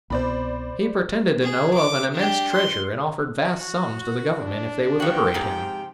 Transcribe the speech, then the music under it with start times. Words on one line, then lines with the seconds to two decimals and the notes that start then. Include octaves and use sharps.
"He pretended to know of an immense treasure, and offered vast sums to the government if they would liberate him."
0.10 C2 B2 C5 D5 B5
1.42 G#4
1.74 D6
2.14 D4 G4
2.52 C6
3.44 F#4
4.37 D4
5.00 F2 F3 F#4 G5
5.34 G#2 C3